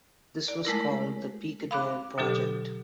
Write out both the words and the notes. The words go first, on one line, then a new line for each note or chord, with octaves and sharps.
This was called the Picador project.
D5
G#3 A3 E4 A#4
F5 B5 D6 F#6
B2 D3 F#3 D4 G4 A4